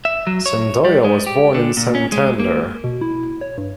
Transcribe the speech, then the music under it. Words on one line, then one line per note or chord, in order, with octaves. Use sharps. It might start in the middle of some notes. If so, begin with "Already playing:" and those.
Cendoya was born in Santander.
E5
F#3
C#5
G3
G#3
G4
D3
A#2
C#4
G#3
A#3
B2
E4
C#5
G2